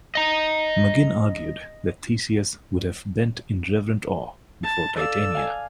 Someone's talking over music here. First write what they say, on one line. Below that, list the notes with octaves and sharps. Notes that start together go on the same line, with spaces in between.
Maginn argued that Theseus would have bent in reverent awe before Titania.
D#5 A#5
A5
A4 D5 F5 E6
F5 G#5